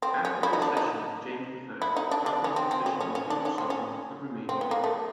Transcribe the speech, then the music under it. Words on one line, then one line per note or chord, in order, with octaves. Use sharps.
After the accession of James the First, Rutland's position improved somewhat, but remained difficult.
C4
C#4
E4
D#4
D4
D#4
E4
D#4
D4
D4
C#4
C4
C4
C#4
C#4
C#4
D4
C#4
C4
C#4
C4
B3
A#3
A3